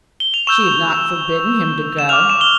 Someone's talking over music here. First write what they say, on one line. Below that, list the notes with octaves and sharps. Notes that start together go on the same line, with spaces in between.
She had not forbidden him to go.
G7
F7
C#6 E6 G6 E7
E7
D6 F6 F7
E7
G7